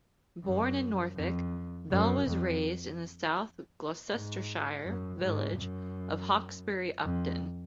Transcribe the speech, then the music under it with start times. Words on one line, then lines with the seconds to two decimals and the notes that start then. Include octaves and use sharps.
Born in Norfolk, Bell was raised in the South Gloucestershire village of Hawkesbury Upton.
0.44 F#2
1.16 F2
1.91 F#2
2.27 F2
4.11 G#2
4.85 F#2
5.22 G#2
5.58 F#2
7.05 F2